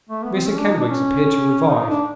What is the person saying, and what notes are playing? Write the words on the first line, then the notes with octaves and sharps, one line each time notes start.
Mr Kenwigs appeared to revive.
A3
B3
C4
C#4
D4
D#4
D4
C#4
D#4
D4